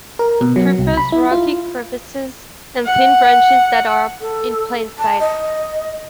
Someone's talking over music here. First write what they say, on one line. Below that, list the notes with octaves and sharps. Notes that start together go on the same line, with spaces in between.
It prefers rocky crevices and thin branches that are in plain sight.
A#4
B2
F#3
C2
B5
E4
F4
F#5
A4
A5
D#5